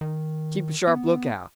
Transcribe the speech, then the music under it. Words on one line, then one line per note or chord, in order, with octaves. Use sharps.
Keep a sharp lookout.
D#3
B3